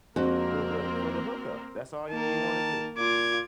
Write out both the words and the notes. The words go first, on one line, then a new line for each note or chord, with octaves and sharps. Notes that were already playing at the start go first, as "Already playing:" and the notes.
Wha where for the hookup, that's all you wanna do.
F2 G#3 A#3 C4 D4 F#4 A#4
D#3 A#3 A#4 A5
A#2 F4 D6 G#6